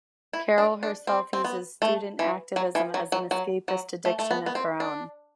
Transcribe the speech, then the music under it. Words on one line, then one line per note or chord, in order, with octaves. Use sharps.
Carol herself uses student activism as an escapist addiction of her own.
E4
D4
D4
C4
C4
B3
A3
E3
F#3
E3
F#3
F#3
F#3
F#3
A3
A3
B3
B3
C4
D4